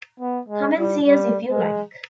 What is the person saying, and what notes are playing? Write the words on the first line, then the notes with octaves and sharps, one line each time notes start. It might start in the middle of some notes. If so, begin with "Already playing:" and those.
Come and see us if you like.
B3
G#3
G3
G3
G#3